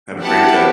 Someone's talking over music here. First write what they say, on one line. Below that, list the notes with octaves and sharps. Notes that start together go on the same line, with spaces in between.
Have a great day.
B3 E4 G4 F#5 A5